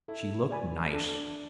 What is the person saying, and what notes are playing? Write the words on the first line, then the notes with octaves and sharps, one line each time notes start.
She looked nice.
E4 A4
D5 G#5 B5
D4 A4
D4